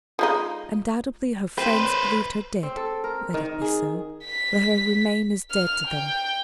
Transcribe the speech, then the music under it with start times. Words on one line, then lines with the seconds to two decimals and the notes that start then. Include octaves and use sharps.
Undoubtedly her friends believed her dead--let it be so--let her remain as dead to them.
0.19 F3 G#3 D#4
1.58 C4 B4 C5
2.63 C4
2.77 A4
3.04 A#4
3.34 D#3
3.61 G#4
4.24 B6
5.51 F6
5.87 G5